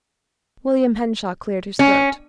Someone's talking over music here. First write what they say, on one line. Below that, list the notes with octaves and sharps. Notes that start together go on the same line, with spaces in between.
William Henshaw cleared his throat.
C#4